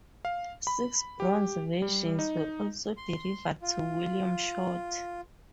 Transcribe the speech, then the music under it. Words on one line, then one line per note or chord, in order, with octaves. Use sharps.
Six bronze versions were also delivered to William Short.
F5
B5
G4
G3
D#4
C6
F4